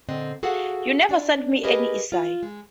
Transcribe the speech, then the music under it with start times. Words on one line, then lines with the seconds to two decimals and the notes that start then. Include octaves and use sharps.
You never sent me any essay.
0.09 A#2 D3 C4 D#5
0.43 F#4 G#4 A4 F5 F#5
1.09 D4 D5
1.63 G4 G#4 A#4 B4 D#5
2.12 F4
2.43 G#3